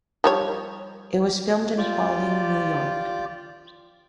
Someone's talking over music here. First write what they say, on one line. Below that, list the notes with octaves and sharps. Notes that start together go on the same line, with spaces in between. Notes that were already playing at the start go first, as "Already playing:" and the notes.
It was filmed in Pawling, New York.
F3 G3 C#5
F4 G4 D5 D6